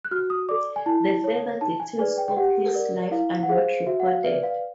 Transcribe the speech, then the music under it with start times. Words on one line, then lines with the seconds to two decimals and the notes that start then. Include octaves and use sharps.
The further details of his life are not recorded.
0.05 F#6
0.11 F#4 F6
0.30 D#6
0.49 A4 D5 D6
0.76 G#5
0.86 E4 A5
1.24 A4 C#5
1.61 D#4 A5
1.80 G#5
1.99 G#4 B4 D5 G#5
2.17 G5
2.28 G5
2.36 G4 F#5
2.74 A#4 D5
3.11 E4 F5
3.43 F#5
3.49 G#4 C5 F5
3.87 F#4 E5
4.00 F#5
4.06 F5
4.24 B4 D5 E5
4.43 F5